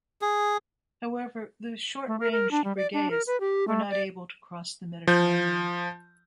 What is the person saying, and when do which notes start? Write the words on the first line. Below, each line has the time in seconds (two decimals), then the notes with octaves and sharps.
However, the short-ranged Breguets were not able to cross the Mediterranean.
0.22 G#4
2.07 A3
2.20 A#4
2.32 A#4
2.51 D4
2.64 G3
2.77 D5
2.93 D4
3.11 A#4
3.27 B4
3.40 G4
3.68 A3
3.90 D5
5.07 F3 G6